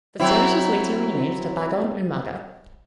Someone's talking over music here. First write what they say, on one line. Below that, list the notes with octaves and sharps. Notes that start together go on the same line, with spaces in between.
The series was later renamed to "Bagong Umaga".
F#3 C4 E4